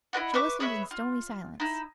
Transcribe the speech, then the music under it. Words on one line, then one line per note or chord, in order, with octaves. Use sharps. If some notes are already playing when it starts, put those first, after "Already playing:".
She listened in stony silence.
E4 B4 D#5 F#5
B4 E5 C#6 D6
G#4 B4 C#5 E5
F4
D#4 E4